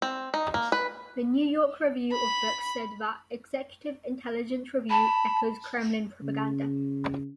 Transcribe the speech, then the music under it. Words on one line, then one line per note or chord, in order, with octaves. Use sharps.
The New York Review of Books said that "Executive Intelligence Review" "echoes Kremlin propaganda".
C4
D#4
A#3
B4
B5
A5 B5
C#3